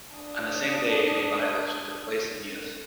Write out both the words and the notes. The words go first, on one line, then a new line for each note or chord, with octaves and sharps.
On the same day, a by-election took place in Meath.
D4 D#6